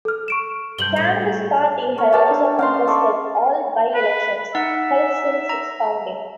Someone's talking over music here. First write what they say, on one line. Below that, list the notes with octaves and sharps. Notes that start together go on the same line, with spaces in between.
The Cannabis Party has also contested all by-elections held since its founding.
A4 F6
C#6 D7 E7
G2 C3 G6 F#7 G7
A2
A#4 C#5 A#5 C#6
G4 B4 A5 F6
D4 D5
C#4 D#5 F5 C6
A4 D5 C#6
B4
D#4 E5 F#5
A#5